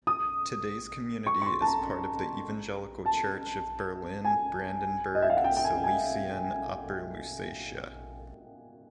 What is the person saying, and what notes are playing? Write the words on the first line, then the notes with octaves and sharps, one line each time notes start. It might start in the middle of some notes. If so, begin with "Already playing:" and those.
Today's community is part of the Evangelical Church of Berlin-Brandenburg-Silesian Upper Lusatia.
D#6
C#6
C#6
C6
A5
A#5
A5
G#5
D#5
E5
F5
F#5
G5
G5
G#5
G#5